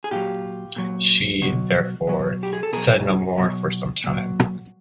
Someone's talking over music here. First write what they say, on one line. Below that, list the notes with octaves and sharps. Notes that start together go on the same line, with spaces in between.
She, therefore, said no more for some time.
G#4
A#2 F#3 F4 G4
A#2 F#3
B2 F#3
B2 F#3
G4
G#4
A4
B2 F#3 G#4 A#4
B2 F#3
A#2 F#3